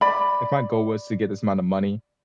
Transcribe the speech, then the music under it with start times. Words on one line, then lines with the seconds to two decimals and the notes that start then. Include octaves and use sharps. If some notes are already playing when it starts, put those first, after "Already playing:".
if my goal was to get this amount of money,
0.01 D5 B5